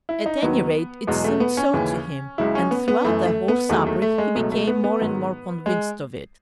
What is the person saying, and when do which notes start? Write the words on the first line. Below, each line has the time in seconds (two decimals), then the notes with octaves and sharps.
At any rate it seemed so to him, and throughout the whole supper he became more and more convinced of it.
0.09 E4
0.26 D#4
0.42 D#2 D#3 F#3 B3
1.07 E2 B2 F#3 G#3
1.24 A3
1.40 B3
1.57 C#4
1.73 D#2 C#3 E3
2.38 C#2 C#3 F#3 E4
2.55 C#4
2.71 B3
2.88 B3
3.04 F#2 E3 A3
3.25 A3
3.48 B3
3.69 E2 D#3 F#3 A3
3.86 A3
4.02 A3
4.18 G#3
4.35 C#2 B2 F#3 A3
4.52 A3
4.67 B3
4.84 B3
5.00 G#2 D#3 F#3
5.66 G#3